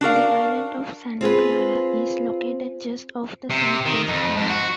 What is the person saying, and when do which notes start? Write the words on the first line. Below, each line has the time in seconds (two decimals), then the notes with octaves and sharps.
The island of Santa Clara is located just off the southwest coast.
0.01 D4 F#4 A#4 F5
1.21 C4 F4 G#4 B4
3.50 C3
3.86 D#3
4.09 F2
4.37 G#2
4.50 F#4